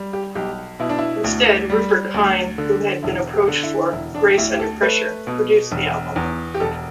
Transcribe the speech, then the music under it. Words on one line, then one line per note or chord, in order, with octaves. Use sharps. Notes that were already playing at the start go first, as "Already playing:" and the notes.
Instead, Rupert Hine, who had been approached for "Grace Under Pressure", produced the album.
Already playing: G3
G4
B1 G4
B2 E4
D4
E4
D2
G3
D2
D3
E1 E4
G4
D3
E4
E1 E4
D4
G4
D2 E4
G4
A4
A3 B4
B2
E1
E2
G4
E1 A4